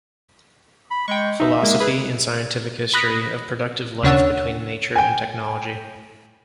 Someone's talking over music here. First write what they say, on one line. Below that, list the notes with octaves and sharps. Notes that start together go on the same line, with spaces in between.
Philosophy and scientific History of productive Life between Nature and Technology.
B5
G#3 G5 C#6
D#4 E5
G#3 A#3
G#4 B4
B5 D#6 F#6 A#6 B6
D#2 C#3 D4 C#5 F#5 E6
G5 G#5